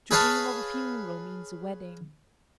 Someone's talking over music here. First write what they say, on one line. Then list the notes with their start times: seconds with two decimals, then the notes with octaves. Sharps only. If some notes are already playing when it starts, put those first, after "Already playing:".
To dream of a funeral means a wedding.
0.11 G#4 B4 C#5 F5 G#5 A5